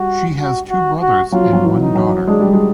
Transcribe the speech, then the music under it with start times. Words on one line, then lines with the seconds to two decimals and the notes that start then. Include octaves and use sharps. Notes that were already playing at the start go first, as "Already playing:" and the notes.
She has two brothers and one daughter.
Already playing: G3 F#4
0.39 F#4
0.70 F#4
1.02 F#4
1.32 F#3 F4
1.43 F3
1.53 F#3
1.64 E3
1.80 D#4
1.95 F#3
2.27 G#3 D4
2.40 G3
2.54 G#3